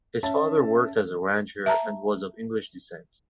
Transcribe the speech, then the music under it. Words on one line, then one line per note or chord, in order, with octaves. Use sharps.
His father worked as a rancher and was of English descent.
C#4 E5 A5
E5 A5 A#5